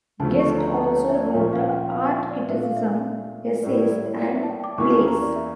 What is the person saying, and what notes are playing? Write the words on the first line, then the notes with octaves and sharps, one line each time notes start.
Guest also wrote art criticism, essays, and plays.
D2 C#3 F3 A3 A5
C#6
A5
A#5
A#5
A5
C#5
E5
D5
A#2 F3 C#4 E5
F5
G5
F5
E5
D5
A#2 A3 D4 F4 E5
F5
E5
A2 G3 A#3 E4 D5
D5
D5
C#5
D5
E5
A5
G5
D6
E2 E3 A#3 C#4 E4 C#6
C#6
A#5
D5
E5